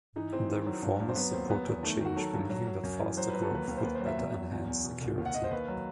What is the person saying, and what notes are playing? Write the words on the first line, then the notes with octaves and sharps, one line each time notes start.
The reformers supported change, believing that faster growth would better enhance security.
E3 D#4
E3 C4
D#3
F#3
G2
G2
C4
F#3 B3
D#2 C4
F#3 B3
E2
D#3 A3
D#3 F#4
F#3 A4
G2
F#3
F#3
F#2
E3
F#3 C5
F#3 B4
A4
D#2 B4
D#2
C5
D#2 B4
C5
F#3
E5
E2
F#3
E2
E2
B2
C2
D#2
F#5
D#2 D#5
C5
D#2 B4
F#3